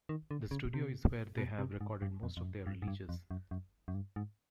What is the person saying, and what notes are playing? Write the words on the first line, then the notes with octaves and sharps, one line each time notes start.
The studio is where they have recorded most of their releases.
D#3
D3
C#3
C3
B2
C3
G#2
G2
F2
F2
F#2
G2
G#2
G2
F2
F#2
F#2
F#2
G2
G#2